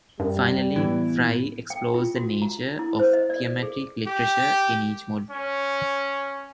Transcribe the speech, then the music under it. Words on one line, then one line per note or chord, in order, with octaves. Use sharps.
Finally, Frye explores the nature of thematic literature in each mode.
F#2 G3
A2 E3 B3
G5
F4
F#4
A#5
E4
C5
D#5
D5
G#4
G4
C#4